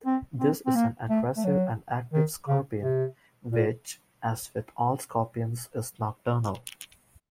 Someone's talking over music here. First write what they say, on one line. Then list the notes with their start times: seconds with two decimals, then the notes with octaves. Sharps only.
This is an aggressive and active scorpion, which, as with all scorpions, is nocturnal.
0.06 C4
0.40 C4
0.66 C4
0.75 A#3
1.09 A3
1.37 A3
1.44 F#3
2.13 D#3
2.48 C#3
2.83 C3
3.52 A#2